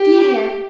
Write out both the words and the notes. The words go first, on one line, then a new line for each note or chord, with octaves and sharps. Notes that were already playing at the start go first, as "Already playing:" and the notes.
Do you hear?
Already playing: G4